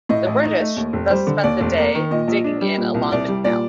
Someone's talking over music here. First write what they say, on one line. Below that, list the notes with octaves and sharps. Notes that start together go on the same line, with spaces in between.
The British thus spent the day digging in along the canal.
A2 D#5
A1
D#4 D#5
A3
D#2
F1
G3 C5
D3
D#2 D5
F1
A#3
D#3
A#2 D#5
A#1
D4
G3
A#2
C2
C2 D5
G3
A#2 D5